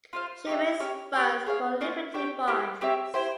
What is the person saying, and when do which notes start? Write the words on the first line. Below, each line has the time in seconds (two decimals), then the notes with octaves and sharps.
She raised funds for Liberty Bonds.
0.13 F4 C5 F5
0.47 G4 C#5 E5
0.80 C#4 G4 C#5
1.13 G4 C#5 G5
1.46 G#4 C#5 F5
1.81 A#3 C#4 F4
2.14 C4 G4 C#5 G5
2.47 A#3 E4 G4 C5
2.81 C4 G4 C#5 E5
3.14 E4 G4 C5